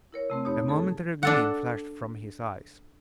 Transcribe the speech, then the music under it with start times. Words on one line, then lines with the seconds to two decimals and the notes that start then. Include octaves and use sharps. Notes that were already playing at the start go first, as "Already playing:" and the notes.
A momentary gleam flashed from his eyes.
0.13 E4 A#4 C#5
0.30 C3 A3 C4
0.44 F2 D#4 G4 C#5 B5
0.68 G#4 A4 A5
1.23 D4 A4 F#5